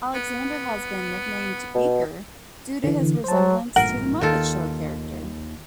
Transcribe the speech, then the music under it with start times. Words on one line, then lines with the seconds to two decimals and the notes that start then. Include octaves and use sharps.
Alexander has been nicknamed "Beaker" due to his resemblance to "The Muppet Show" character.
0.15 B3
1.75 B2
2.84 D3 E3
3.24 F#3 C5 A5
3.76 A1 G2 A#2 A#4 F#5
4.21 D#2 D#3 F4 A4